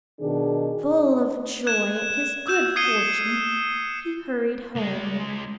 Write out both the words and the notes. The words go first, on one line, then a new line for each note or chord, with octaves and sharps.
Full of joy at his good fortune, he hurried home.
B2 D#3 D4 G#4
F#6 G#6 E7
E6 G6 E7
D#6 G#6 C7 C#7 D#7 G7
C#2 G#3